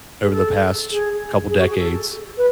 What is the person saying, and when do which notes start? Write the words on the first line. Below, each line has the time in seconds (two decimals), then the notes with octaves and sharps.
over the past couple decades
0.23 G#4
0.30 A4
0.90 G#4
1.49 G#4
1.58 F#4
1.68 G#4
1.78 A4
2.37 B4